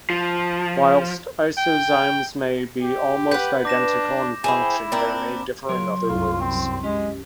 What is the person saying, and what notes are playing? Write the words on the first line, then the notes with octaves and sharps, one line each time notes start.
Whilst isozymes may be almost identical in function, they may differ in other ways.
F3
G5
G4
B4 F#5 G6
D4 D6 A#6 E7
E4 G#4 C5 G5 B5 E7
A#3 C4 D4
C#3 F#3 A#4 C#5 C6
C2 F#2 F4
C4
G#3 C#4 G4